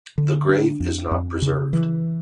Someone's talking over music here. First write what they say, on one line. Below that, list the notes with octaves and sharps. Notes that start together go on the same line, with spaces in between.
The grave is not preserved.
D3
D4
F2
F2
C#3
E3